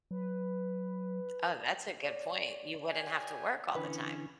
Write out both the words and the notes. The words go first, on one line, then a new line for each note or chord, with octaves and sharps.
Oh, that's a good point. You wouldn't have to work all the time.
F#3 B4
C#5 D5
G4 G5 G#5
D3 E3 C#4 B4